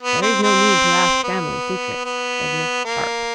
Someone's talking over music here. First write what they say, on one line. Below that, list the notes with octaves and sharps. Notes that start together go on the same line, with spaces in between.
"There is no need to ask family secrets," said Miss Sharp.
B3
C4
C4
B3
B3
A#3